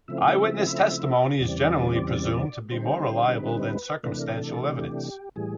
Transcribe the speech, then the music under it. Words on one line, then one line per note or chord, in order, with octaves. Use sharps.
Eyewitness testimony is generally presumed to be more reliable than circumstantial evidence.
C#3 F3 A3 C4 E4 E5
F5
E5
E2 C#3 E3 G3 C4 D5
D3 G3 C4 D#4 C5
B4
C3 E3 A3 D4 B4
A#4
A4
A4
G4
A2 E3 G3 G#4